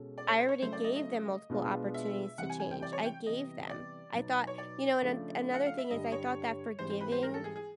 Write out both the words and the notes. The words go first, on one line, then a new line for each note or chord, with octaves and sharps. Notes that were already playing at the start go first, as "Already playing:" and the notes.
I already gave them multiple opportunities to change. I gave them. I thought you know, and an another thing is I thought that forgiving
Already playing: B2 G#3 C#4 F#4 A4
D5
C#5
C5
C#5
C#3 F#3 A3 C5
D5
D#5
D#5
B2 G#3 B3 D4 F4
E5
C3 E3 G3 C4 F#5
G#5
G#5
G5
D5
C#5
G5
C3 E3 G3 B3 D#5
D5
B2 F#3 B3 D#4
C#5
D5
C#3 F3 A3 D4
F#5
F5
E5
G2 D3 G3 D#5
C#5
G#2 E3 G3 C4 C5
C5
B4
C5
A#4
A4
G#4
G#4